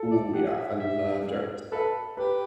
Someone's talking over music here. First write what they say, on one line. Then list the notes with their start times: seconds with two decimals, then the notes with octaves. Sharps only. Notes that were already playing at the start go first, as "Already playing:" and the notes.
Ooh, yeah, I love dark roast coffee.
Already playing: A4
0.11 D5
0.33 G4 F#5
0.56 E5
0.79 E5
1.72 A4 B4
2.17 G4 B4